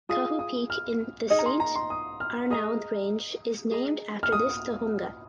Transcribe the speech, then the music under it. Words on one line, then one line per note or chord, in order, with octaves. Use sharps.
Kahu Peak in the Saint Arnaud Range is named after this tohunga.
F4 G#4 F5 D#6
D#6
F6
D#4 G#4 D#5 D#6
A#5
C6
A#5
C6
D#6
F6
G#4 D#5 A#5 D#6
G#4 D#5 A#5
F6
D#6